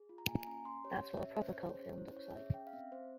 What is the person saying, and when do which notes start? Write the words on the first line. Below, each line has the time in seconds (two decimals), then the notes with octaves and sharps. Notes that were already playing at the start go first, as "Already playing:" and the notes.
That's what a proper cult film looks like.
Already playing: G#4
0.09 F4
0.18 A#5
0.28 A#3 G#5
0.41 G#5
0.47 C#4 A#5
0.65 C#4 C6
0.84 G4 C#5
1.03 G4 C#5
1.18 E5
1.22 C#4 C#5
1.35 C5
1.41 C#4 C#5
1.60 G#4 C5
1.79 C#4 C#5
1.98 E4 C5
2.17 C#4 C#5
2.35 G#4 E5
2.54 C#4 G5
2.67 F5
2.73 C4 E5
2.92 C4 C5